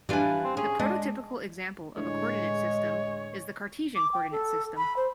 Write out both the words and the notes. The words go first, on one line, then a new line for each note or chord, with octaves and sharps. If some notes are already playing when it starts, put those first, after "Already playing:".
The prototypical example of a coordinate system is the Cartesian coordinate system.
E3 G3 D4 F4 G#5
C4
C#4 G#4
G#3 D4 D#5
A2 D3 G#3 A3 C#5 D#5
D6
G5
A4
B5
C5